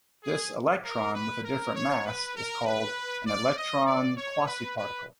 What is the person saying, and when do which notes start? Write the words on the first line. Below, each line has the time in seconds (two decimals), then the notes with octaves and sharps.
This "electron" with a different mass is called an "electron quasiparticle".
0.23 G#4
0.84 A#4
1.14 B4
1.44 A#4
1.75 C#5
2.05 B4
2.36 A#4
2.65 B4
3.26 D5
3.56 D#5
3.86 D5
4.16 C#5
4.46 B4
4.77 B4